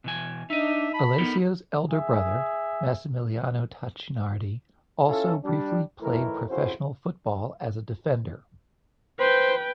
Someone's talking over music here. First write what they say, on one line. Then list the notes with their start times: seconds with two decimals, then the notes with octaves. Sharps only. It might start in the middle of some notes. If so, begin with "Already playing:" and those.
Alessio's elder brother, Massimiliano Tacchinardi, also briefly played professional football as a defender.
0.04 B2 E3 G#5
0.50 D4 D#4 D#5 E5
0.94 A5 B5
1.18 B3 D#4 A4 A#4
1.91 G#4 E5
5.08 C#4 E4 F4 A4
5.43 G3 D4
6.00 A2 D#3 E3 A3 E4 A#4
6.48 F2 C#3 E4 F#4 C5
9.19 B4 C5 G5